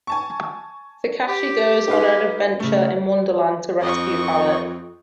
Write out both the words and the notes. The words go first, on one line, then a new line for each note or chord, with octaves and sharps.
Takashi goes on an adventure in Wonderland to rescue Alice.
G#5 A5 C#6
G4
D#4 B4 F5
C#3 A3
F2 D#5 C#6